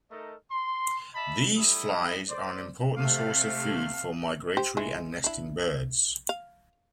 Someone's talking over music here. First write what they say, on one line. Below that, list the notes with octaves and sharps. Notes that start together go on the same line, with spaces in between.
These flies are an important source of food for migratory and nesting birds.
A3 D#4 A4 A#4 D#5
C6
D#5 E5 A5 B5
G3 E4 A4 B5 D#6
C5 D5
C3 A3 F5
G4 C5
E3 G#3
D4 E4
F5